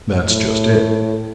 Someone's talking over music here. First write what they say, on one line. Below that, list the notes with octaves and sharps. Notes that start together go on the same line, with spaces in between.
"That's just it."
A2